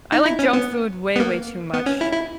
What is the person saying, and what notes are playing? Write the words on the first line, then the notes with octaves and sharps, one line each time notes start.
I like junk food way, way too much.
D#4
E4
C#4
B3
B3
A#3
B3
C#4
E4
E4